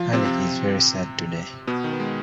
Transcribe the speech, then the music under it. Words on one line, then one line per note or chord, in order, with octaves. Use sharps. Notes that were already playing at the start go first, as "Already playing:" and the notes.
Hardik is very sad today.
Already playing: F3 F4
C3 C4
C3 C4
B2 B3
D#3
B3
G#3